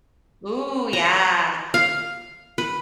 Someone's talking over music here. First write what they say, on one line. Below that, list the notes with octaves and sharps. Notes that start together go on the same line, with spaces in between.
Ooh, yeah.
A#5
F5
B4